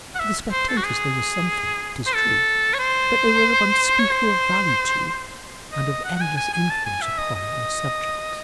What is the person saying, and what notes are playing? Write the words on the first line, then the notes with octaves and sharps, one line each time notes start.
To the spectators they were something, it is true; but they were of unspeakable value to, and of endless influence upon their subjects.
F#5
E5
C5
A4
F#4
G#4
C5
A4
C#5
C5
C#5
C5
D#5
F#5
F#5
G#5
G#5
G#5
A5
G#5
E5
D#5
D#5